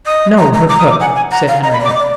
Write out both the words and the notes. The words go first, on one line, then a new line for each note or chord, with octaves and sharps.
"No--her cook," said Henriette.
D#5 D#6
A#5
A#5
A#5 D6
D#6
D6
F#5 G#5
G#5
F#5 A#5
F5
D#5 A#5
B5
D5
D6
D#5
D6
D5